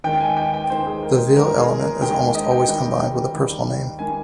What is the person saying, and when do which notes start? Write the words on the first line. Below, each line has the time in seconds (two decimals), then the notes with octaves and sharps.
The "-ville" element is almost always combined with a personal name.
0.04 D#2 D#3 G#3 G5
0.20 G#5
0.37 G5
0.54 G5
0.70 D#2 D#3 G#3 C5
0.87 G#4
1.03 A#4
1.36 D#2 D#3 G#3 A#4
1.57 G#4
1.80 A#4
2.01 D#2 D#3 G#3 G5
2.35 D#5
2.51 G5
2.68 D#2 D#3 G3
3.34 D#2 D#3 G3
3.99 D#3 G3 G#5